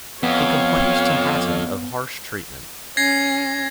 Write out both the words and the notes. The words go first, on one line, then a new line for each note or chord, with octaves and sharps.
He complained to Hatton of harsh treatment.
F2 B3 C#5 F5
C#4 G#6 A#6 C7